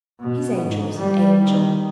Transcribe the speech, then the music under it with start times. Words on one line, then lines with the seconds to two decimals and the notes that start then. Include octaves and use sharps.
His angel was an angel.
0.20 B2
0.66 G#2
0.97 G3
1.43 D#3